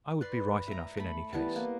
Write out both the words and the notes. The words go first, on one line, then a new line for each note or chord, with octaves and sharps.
I would be right enough in any case . . .
B4 D5 C6
E5 A#5
A3 B5
E3 G3 B3 A5
A#3 B3